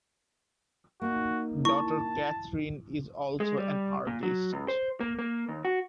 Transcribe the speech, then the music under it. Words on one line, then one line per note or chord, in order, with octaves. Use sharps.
Daughter Catherine is also an artist.
A#3 D#4 F#4
E4 A5 C#6
G#3
G3
A#2
F#3
C#2
C5
A#3
A#3
D#2
F#4